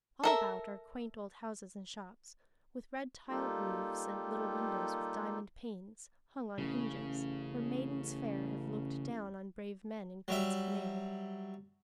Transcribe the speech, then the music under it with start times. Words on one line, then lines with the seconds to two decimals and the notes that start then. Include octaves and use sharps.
All about are quaint old houses and shops, with red-tiled roofs, and little windows, with diamond panes, hung on hinges, where maidens fair have looked down on brave men in coats of mail.
0.23 A4 A#4 E5
3.29 G3 A#3 D#4 F4 G4 A4
6.58 A1 C#3
10.28 F#3 G3 E5